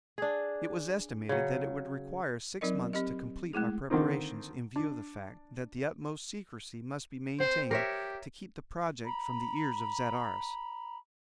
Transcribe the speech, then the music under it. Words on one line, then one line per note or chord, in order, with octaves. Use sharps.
It was estimated that it would require six months to complete our preparations in view of the fact that the utmost secrecy must be maintained to keep the project from the ears of Zat Arras.
D4 G#4
C#3 F#3
F#3 C4 D#4 A#4 D5 D#5
C4 G4 D#5
G#3 A3 E4 G#4
D3 D#3 A#3 C4 D#4
D4
C4 C5
G4 A#4 C#5 E5
A#5 B5